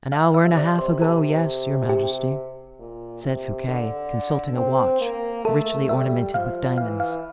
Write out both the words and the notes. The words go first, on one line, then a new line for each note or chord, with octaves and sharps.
"An hour and a half ago, yes, your majesty," said Fouquet, consulting a watch, richly ornamented with diamonds.
F5
E5
C3
D5
C3
C5
A4
G4
A#2
C3
D3
C4
A#3
A3 A4
G3 E5
F3 F5
E3 F5
F5